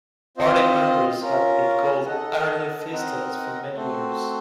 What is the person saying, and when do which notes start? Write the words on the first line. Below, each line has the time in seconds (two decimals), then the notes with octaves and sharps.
Party members had been called "Arnulfistas" for many years.
0.37 C4 F4 C5 D#5
1.22 C#4 F4 A#4
2.06 D#4 A4 D#5 F#5
2.91 C4 D#4 A#4 D#5 F#5
3.75 A3 C4 F#4 C5